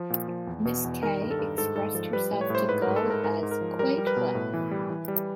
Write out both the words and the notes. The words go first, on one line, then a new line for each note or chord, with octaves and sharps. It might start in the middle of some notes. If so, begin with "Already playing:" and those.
Miss K expressed herself to Gull as "quite well".
Already playing: F3
A#2
F3
E2
B2
E2
D#3 A#4
G2
A4
G2
G#2 A4
G#2 A4
F3 A4
G3 B4
A2
C#5
A2 C5
G#2 B4
A#4
G#2
A4
G#2 A#4
G#2 A#4
G#2
A#4
F3
G3 A#4
G3
B4
B2
A2
E3
G3
E3
G3